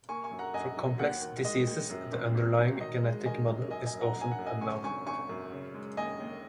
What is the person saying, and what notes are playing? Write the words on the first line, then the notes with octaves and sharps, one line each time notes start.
For complex diseases, the underlying genetic model is often unknown.
A#3 G#5 C#6
G#5 C#6
F#2
F#5 A#5
F#2 D#5 G#5
F#3
D#2 F#5
D#3
G#3 D#5
D#2
F#2
G#1
G#1
F#3
D#3 D#5
G#3
D#3 D#5 G#5
F#2
F#2 D#5 G#5
D#5 G#5
F#2
F#5 A#5
F#2 G#5
F#5
F#2
D#5 G#5
C#3 G#5 C#6
G#1 G#5 C#6
G#1 G#5 C#6
F#2
C#3
G#3
D#2 D#5 G#5
D#2